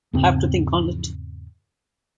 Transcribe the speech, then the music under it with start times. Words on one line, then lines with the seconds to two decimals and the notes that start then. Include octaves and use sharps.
Have to think on it.
0.13 E2 G#2 C#3 C4